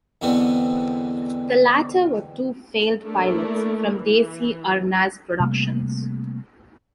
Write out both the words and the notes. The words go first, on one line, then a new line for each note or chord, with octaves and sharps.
The latter were two failed pilots from Desi Arnaz Productions.
E2 B2 D3 E3 B3 C4
A3 A#3 D4 E4 A#4
E3
C3 G3 A3 A#3